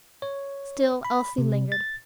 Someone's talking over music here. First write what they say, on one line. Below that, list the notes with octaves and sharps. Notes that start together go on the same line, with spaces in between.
Still Elsie lingered.
C#5
B5
C3
A6